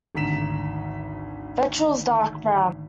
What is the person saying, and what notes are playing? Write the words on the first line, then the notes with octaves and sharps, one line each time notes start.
Ventrals dark brown.
G#1 D2 A#5 B6 E7